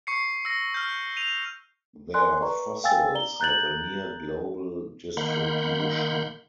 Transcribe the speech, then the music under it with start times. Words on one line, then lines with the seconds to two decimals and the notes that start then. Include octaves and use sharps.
Their fossils have a near global distribution.
0.07 C#6 C7 C#7
0.45 E6 A#6
0.74 F6 G6
1.17 D#7 F7
2.14 A#4 D5 G#5 C6 F#6
2.42 B4 D5 A#5 C#6
2.84 F5 G5 G#5 E6 A6
3.15 D5 A#5 G7
3.40 A#5 F#6 G6 A6 F#7
5.17 D#3 A#3 F#5 B5 C6 G6